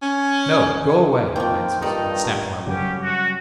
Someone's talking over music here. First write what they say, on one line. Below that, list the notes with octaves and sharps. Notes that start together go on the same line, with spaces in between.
"No; go away," I insisted, and snapped my whip.
C#4
D#3 F3 A#3 C4 G5
G2 D#3 D#4 A4 D5
C#3 F#3 G3 C#4 G4
F#4